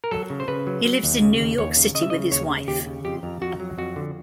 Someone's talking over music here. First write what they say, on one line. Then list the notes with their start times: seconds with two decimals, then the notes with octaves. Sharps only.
He lives in New York City with his wife.
0.04 A#4
0.11 F#3 A4
0.30 C#3
0.40 C5
0.48 C#3 B4
0.67 F#3
0.85 F#3
1.03 D#2
1.21 C#3
1.40 D#2
1.58 D#2 C#5
1.77 C#3
1.95 C#3 D#5
2.02 E5
2.10 D#5
2.13 C#3
2.31 D#2 C#5
2.50 C#3
2.68 D#2 G4
2.87 C#3
3.05 F2 G4
3.23 F2
3.41 F2 F#4
3.60 F#3
3.78 F2 F#4
3.96 D3